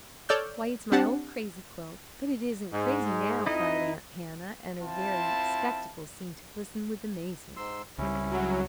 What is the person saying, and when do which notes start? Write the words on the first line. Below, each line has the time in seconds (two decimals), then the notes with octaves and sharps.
"Why, it's my old crazy quilt, but it isn't crazy now!" cried Aunt Hannah, and her very spectacles seemed to glisten with amazement.
0.29 A4 C#5 D5 E6 F6 G6
0.92 C4 D4 G4 F#5 A5
2.73 G#2
3.46 F2 D#4 E4 D#5
4.82 C4 E4 F4 A5
7.57 G#2 C6 E6
7.98 C#2 G3 C#4 E4
8.31 F#3